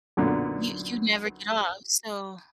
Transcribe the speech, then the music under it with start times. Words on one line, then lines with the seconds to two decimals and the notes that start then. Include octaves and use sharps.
you you never get off. So
0.17 B1 F#2 A#2 D3 B3